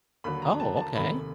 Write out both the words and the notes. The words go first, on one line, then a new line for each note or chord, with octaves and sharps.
Oh, okay.
D#2 D3 F#3 B5
A#5
A5
A5
F1 D#2 D#3 B5